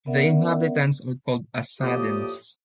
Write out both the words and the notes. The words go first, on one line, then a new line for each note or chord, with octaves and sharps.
The inhabitants are called "Assadins".
B3 C#4 A#4 D5 E5 F#5
A2 F3 A#3 G4 D5 D#6